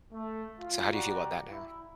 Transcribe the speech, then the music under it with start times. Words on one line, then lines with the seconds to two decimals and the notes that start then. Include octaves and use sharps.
So how do you feel about that now?
0.13 A3
0.60 F4
0.93 F#4 G4 D5 A#5
1.51 E4